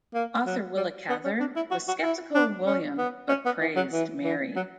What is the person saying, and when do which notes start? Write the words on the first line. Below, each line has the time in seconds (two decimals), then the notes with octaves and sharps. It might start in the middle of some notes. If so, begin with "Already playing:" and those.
Author Willa Cather was skeptical of William but praised Mary.
0.14 A#3
0.46 F#3
0.77 G3
1.09 B3
1.24 C#4
1.40 D4
1.56 E4
1.71 F#4
1.88 F#4
2.03 E4
2.35 D4
2.67 C#4
2.98 B3
3.29 C#4
3.46 B3
3.61 E3
3.76 F#3
3.93 E3
4.24 E3
4.56 F#3